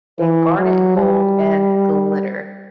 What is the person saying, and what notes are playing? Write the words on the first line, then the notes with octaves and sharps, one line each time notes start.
in garnet and gold and glitter.
E3
F#3
G3